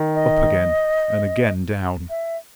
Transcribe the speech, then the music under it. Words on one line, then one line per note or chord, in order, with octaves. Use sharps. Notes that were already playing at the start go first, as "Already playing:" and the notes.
Up again, and again down.
Already playing: D#3
D#5
E5